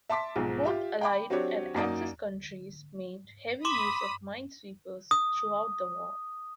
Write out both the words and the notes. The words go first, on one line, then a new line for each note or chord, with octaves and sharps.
Both Allied and Axis countries made heavy use of minesweepers throughout the war.
E5 A5 C6 D6 B6
B1 G#2 F3
F4 G4 E5
G5 B5 D6
F#3 C4 D4 F#4 G4 C#5
F#2 F#3 A#3 D#4 D5 D#6
B5 C6 D6 D#6 E7
D#6